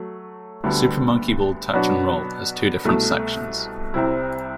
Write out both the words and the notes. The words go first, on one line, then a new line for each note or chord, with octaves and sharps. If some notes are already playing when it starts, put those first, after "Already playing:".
Super Monkey Ball Touch and Roll has two different sections.
Already playing: F#3 A3
D2 D3 G3 B3
B2 F#3 B3 D4 F#4
C2 B2 A3
C2 C3 G3 C4 E4